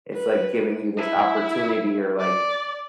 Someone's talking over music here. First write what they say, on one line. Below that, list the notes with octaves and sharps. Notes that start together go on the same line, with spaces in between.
It's like giving you this opportunity or, like,
B4
E4
D5